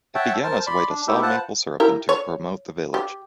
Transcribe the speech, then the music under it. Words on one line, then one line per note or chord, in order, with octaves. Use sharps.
It began as a way to sell maple syrup and to promote the village.
C#5 E5 F#5 G5 A5
A#4 C5 A5 F6
D5 B5 C6
D4
A3 D#4 E4 G4 A4 A#4
F4 B4 C5 F#5 A5 F#6
E4 G4 A#4
C#5
G4